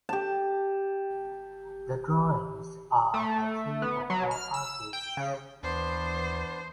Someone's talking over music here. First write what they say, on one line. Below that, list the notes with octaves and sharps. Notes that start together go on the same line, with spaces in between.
The drawings are by three or four artists.
G4 A5
A3
B3
F#3
F6
E6
G5
C#3
D#2 E3 B3 D4 C5 A5